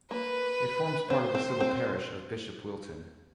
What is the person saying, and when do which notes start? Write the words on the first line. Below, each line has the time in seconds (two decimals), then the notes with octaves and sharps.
It forms part of the civil parish of Bishop Wilton.
0.11 A#3 B4
1.10 C4 C5
1.35 C4
1.60 C4